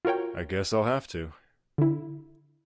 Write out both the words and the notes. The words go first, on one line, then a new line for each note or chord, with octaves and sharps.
I guess I’ll have to.
F4 F#4 A#4 C#5 G5
D3 E4